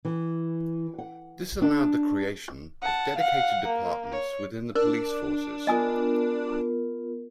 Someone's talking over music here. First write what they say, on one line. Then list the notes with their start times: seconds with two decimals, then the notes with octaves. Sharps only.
This allowed the creation of dedicated departments within the police forces.
0.05 E3
0.98 F#5
1.62 D4
2.82 F#5 A5
3.18 F5 F#5
3.66 A#3
4.12 C#5
4.75 D4 A#4
5.67 B3 F4 A#4 D#5 G#5 D#6